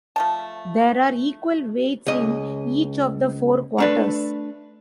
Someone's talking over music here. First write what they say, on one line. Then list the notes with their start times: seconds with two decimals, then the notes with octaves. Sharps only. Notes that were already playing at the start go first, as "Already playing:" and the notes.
There are equal weights in each of the four quarters.
0.16 F3 A3 A5
2.07 C#2 D#5
3.78 A3 D4 B4